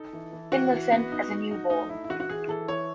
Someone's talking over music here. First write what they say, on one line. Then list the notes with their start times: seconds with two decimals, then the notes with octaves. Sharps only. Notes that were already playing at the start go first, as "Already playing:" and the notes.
Innocent as a newborn.
Already playing: D#4 A4
0.13 E3
0.33 E3
0.52 E3 F#4
0.73 E3
0.92 B3
1.12 D#4
1.31 D#4
1.51 D#4
1.70 A3 D#4
1.89 D#4 E4
2.04 E4
2.09 E3 F#4
2.20 F#4
2.29 E3 G#4
2.48 E3 A4
2.68 E3 C#5